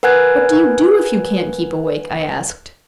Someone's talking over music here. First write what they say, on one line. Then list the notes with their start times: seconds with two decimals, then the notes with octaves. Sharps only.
"What do you do if you can't keep awake?" I asked.
0.03 A#4 B4 F#5 G#5 F#6 G#6